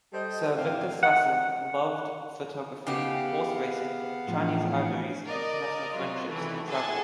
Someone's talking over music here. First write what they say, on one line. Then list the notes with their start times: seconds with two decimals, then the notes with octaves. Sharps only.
Sir Victor Sassoon loved photography, horse racing, Chinese ivories, international friendships and travel.
0.13 G3 A4 C5 D#5
0.56 A2 C4 G4 E5 F5
1.03 F#5
2.87 C#3 B3 D#4 G4 F5 F#5
4.28 A2 E3 F3 D4
5.27 A#4 D5 D#5
5.93 C3 F#3 F4
6.30 D#3 E3 A3
6.67 G#4 A4 F#5 G#5 A5